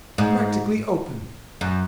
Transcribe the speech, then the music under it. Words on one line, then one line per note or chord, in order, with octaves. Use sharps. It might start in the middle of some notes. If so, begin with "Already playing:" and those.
Practically open.
G#2
F#2